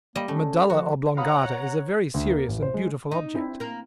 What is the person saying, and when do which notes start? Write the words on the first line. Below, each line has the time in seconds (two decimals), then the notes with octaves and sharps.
The medulla oblongata is a very serious and beautiful object.
0.15 G3 A#3 D#5
0.28 A3 C#4
0.70 F3 F#4
1.17 C#5 F5 F#5 A#5 B5 D#6
2.14 D2
2.30 A#3
2.48 A1
2.62 C5
2.74 G#3
3.11 D#4
3.35 C4 D4 E4
3.60 A#3 A#4